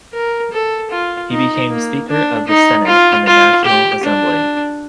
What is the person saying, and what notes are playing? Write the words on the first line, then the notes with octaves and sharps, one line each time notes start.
He became speaker of the senate in the National Assembly.
A#4
A4
F4
D#4
A#3
D4
D#4
F4
F4
G4
D4